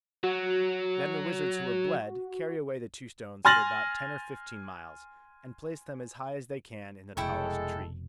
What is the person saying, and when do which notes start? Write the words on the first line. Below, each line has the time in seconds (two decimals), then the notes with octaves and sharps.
Then the wizards who were bled carry away the two stones for about ten or fifteen miles, and place them as high as they can in the tallest tree.
0.24 F#3 F#4
3.45 G#5 C6 F6 A6 A#6 F#7
7.17 F1 B2 G#3 E4 A4 G5 C#6